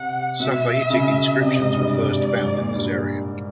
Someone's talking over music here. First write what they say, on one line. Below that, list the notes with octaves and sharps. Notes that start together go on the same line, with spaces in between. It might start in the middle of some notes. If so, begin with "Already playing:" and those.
Safaitic inscriptions were first found in this area.
Already playing: C3 F#5
B2 E5
C#3
C3 D#5
G#2
G2
G2 D5
G#2
G2
G#2
A#2
G2